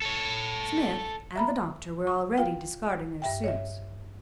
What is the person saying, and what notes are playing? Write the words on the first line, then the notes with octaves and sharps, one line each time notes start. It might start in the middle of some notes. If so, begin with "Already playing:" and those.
Smith and the doctor were already discarding their suits.
A4 C#5
E5 A#5 B5
C#6
F4 F5 G5
G2 E5 G5
C#5 D#5 E5